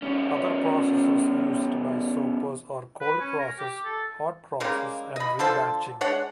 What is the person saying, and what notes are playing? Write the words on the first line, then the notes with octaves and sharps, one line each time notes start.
Other processes used by soapers are cold process, hot process and rebatching.
E2 C#4
B4
C#4
A#4
G4
A4
C#3 G3 G#3 A#3
D#5 B5
D3 F3 A4 C5
G#3 D4 C#5 F#5